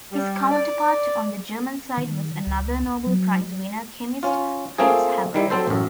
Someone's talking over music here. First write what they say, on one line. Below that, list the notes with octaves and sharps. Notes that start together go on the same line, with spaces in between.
His counterpart on the German side was another Nobel Prize-winning chemist, Fritz Haber.
G3
D5
D#3
C#2
F#3
C#4 F4
A3 A#3 C4 F4 G#4
D#3 G3 E4
F#3 C4 A4 C5
A1 F#2